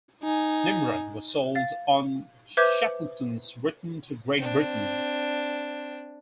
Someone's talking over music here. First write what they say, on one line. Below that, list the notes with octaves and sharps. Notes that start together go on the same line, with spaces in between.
"Nimrod" was sold on Shackleton's return to Great Britain.
D#4 G#5
F5 A6
B4 C5 E5 D6 G6 G#6
C4 D4